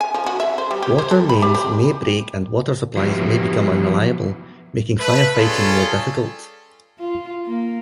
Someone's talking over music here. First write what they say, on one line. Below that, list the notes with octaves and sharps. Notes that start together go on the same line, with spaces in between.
Water mains may break and water supplies may become unreliable, making firefighting more difficult.
G#5
F3
F#4
E5
C5
G3
G4
C5
A4
B5
G4
C4
F3 F#3 B3 E4 G4
A3 B4
G3 C#4 F4 G#4 A4
F4
A#3